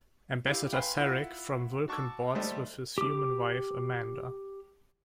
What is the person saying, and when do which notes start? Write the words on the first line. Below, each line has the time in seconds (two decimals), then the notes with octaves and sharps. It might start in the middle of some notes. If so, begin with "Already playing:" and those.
Ambassador Sarek from Vulcan boards with his human wife Amanda.
0.46 E4 G4 F5
0.72 B4 F5 G5 G#5 B5 C6
0.97 E4 F4 E5 F#5
1.88 F#4 A5 C#6 D6 E6
2.35 D#2 G3 A3 C5 D#5 A5
2.98 G4 D6